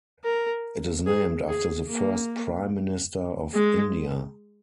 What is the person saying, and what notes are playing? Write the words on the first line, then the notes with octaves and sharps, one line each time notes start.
It is named after the first Prime Minister of India.
A#4
G#4
G#4
A#3
G#3